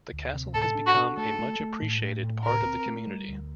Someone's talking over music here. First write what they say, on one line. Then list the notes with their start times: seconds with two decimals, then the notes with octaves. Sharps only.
The castle has become a much-appreciated part of the community.
0.12 D2
0.34 C3
0.54 A2 A4
0.75 D4
0.87 F#4
0.97 D4
1.17 A3 A4
1.39 A3
1.60 A3
1.82 A2
2.02 A3
2.23 A2
2.44 D2 A#4
2.66 C4
2.86 A3
3.07 G3
3.29 D2